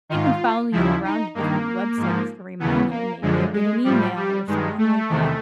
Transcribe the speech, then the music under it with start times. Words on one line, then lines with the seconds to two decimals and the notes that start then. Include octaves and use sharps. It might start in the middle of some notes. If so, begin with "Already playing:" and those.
they can follow you around to different websites to remind you, maybe you'll get an email or something like that,
0.09 G#2 D#3 F4
0.72 D#2 C#3 F3 E4
1.04 D#4
1.34 G2 D#3 A#3
1.97 G#2 F3
2.59 D#2 C#3 E3 B3
2.90 A#3
3.22 F#2 D3 F3 G#3
3.53 G#3
3.84 A2 F3 G3
4.16 G3
4.47 G2 D#3 G#3
4.78 A3
5.10 E2 C3 D#3